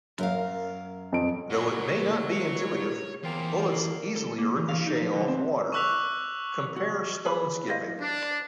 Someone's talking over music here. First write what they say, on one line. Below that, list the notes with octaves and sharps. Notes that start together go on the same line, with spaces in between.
Though it may not be intuitive, bullets easily ricochet off water; compare stone skipping.
F#2 A#4 F5
F2 D7
A#2 F#3 A#3 F#4
C#5
E2 A#3 C4 F4
F#2 D3 A#3
A4
A#3
E3
F5
D#4
F3
D3
C4
C#6 D6 E6 F#6 B6 F7
F#4
G#4 B4 B5
E4 C5 D#5 F5
D4